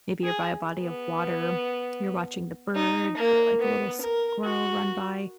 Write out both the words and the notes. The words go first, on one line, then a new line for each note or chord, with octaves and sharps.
maybe you're by a body of water. You're watching the birds, or, like, a little squirrel run by.
G#4
B3
D#4
A#3
B3
A#4
F#4